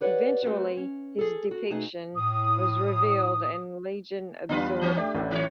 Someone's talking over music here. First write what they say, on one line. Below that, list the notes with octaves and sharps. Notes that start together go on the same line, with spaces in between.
Eventually his depiction was revealed and Legion absorb her.
G4 B4 C#5 D5 E5 F#5
A3 C4 D4 F#4 G4
C#4
G#4 A4
F#4
B2 A3 D#4 F#4 G#4 D#5
A2 D#6
E2 G3 D4 F4 B4
E3 C4 C#4
A3 D4 G4
A1 E4
D#3 C#5